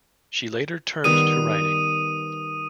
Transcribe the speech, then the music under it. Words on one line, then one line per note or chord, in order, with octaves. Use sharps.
She later turned to writing.
D#3 G3 B3 D#6 D#7